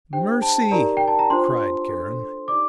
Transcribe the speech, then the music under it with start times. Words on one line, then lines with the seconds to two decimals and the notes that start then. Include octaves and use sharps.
"Mercy!" cried Karen.
0.13 D4 G4 C5 G5
0.42 A5
0.71 D#4 G4 A#4 D5 A#5
0.97 G5
1.08 A5
1.19 A#5
1.30 D4 F4 C5 C6
1.89 D4 A4 C5
2.48 D#4 G4 D5 D6